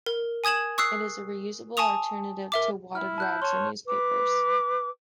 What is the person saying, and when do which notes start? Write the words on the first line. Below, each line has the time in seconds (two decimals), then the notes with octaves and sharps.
It is a reusable alternative to wadded rags or newspapers.
0.06 A#4
0.44 G#5 D#6 G#6 E7 F#7
0.78 C#6 D#6 E6 F#6 C7
1.77 G#5 A5 C#6 D#6 F7
2.52 A#4 E5 D6
2.95 E4 F6
3.18 A5 F#6 G6
3.42 C#5 A5 C6
3.86 B4 D6